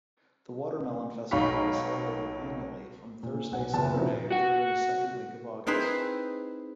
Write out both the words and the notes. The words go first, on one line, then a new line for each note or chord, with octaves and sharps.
The Watermelon Festival is celebrated annually from Thursday-Saturday during the second week of August.
B1 D#4 F5 B5 C#6 B6
A#2
B1 F#5 G#5
F#1 A#2 B3 A5
C#3 F3 C4 D#4 E4 F#4
F#4 F#5
C4 D#4 E4 G#4 B4 C5